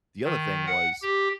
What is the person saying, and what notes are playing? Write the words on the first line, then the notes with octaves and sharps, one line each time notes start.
the other thing was
D#3
F#5
G4